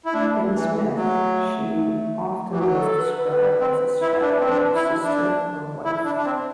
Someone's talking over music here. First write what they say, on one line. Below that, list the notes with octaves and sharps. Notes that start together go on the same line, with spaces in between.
In this myth she often was described as his shadow, sister, or wife.
E4
A3 D4
E3
B3
F#3 A3
E3 G4
F#3 F#4
A4
B4
B4
G3
C4
E4
D4
C4
D4
E4
D4
E4
D4
D4
C4